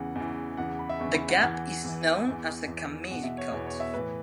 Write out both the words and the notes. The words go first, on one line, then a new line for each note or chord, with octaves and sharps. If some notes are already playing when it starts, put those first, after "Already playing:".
The gap is known as the Camille Cut.
Already playing: E2 C#3 E3 F#5
E2 C#3 E3
E2 C#3 E3 F#5
B5
E5
E2 C#3 E3 C#6
B5
F#5
E2 E3 F#5
E2 E3
E2 E3
E2 E3
E2 B2 F#5
E5
C#5
E2 B2 B4
C#5
E5
A2 E3 B4